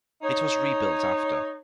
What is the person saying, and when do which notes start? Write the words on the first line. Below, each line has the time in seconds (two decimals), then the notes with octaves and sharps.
It was rebuilt after.
0.22 D#4 C#5